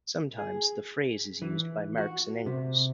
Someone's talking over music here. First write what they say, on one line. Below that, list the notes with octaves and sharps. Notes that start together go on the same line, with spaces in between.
Sometimes the phrase is used by Marx and Engels.
G#4
E3
F#4
C3